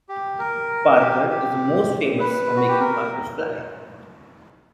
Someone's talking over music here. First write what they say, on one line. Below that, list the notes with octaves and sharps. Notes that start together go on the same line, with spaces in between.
Parker is most famous for making the Parker Fly.
G4
A#4
G4
G4
B4
F#4
G4
A#4